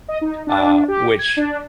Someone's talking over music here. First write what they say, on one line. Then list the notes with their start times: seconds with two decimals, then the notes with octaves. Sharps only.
uh, which,
0.08 D#5
0.21 D#4
0.47 D4
0.88 G4
1.19 G#6
1.37 D4